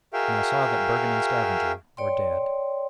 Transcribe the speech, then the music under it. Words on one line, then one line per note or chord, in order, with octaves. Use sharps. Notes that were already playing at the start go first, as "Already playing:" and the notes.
And I saw that Bergen and Stavanger were dead.
F#4 G#4 A#4 E5 F5 G5
C#5 D5 G5 C6